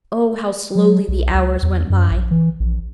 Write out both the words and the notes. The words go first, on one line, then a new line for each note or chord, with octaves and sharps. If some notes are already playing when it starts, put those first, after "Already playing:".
Oh, how slowly the hours went by!
F#3
B1
C#2
E2
F#2
A#1
E3
A#1